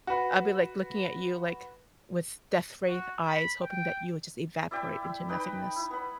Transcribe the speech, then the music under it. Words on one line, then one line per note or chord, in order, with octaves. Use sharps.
I be, like, looking at you, like, with death wraith eyes, hoping that you would just evaporate into nothingness.
F#4 B4
F#4
B5
G5
E4 D5 E5 G5
E4
D#4 B4 G5 B5
E4
B3 B5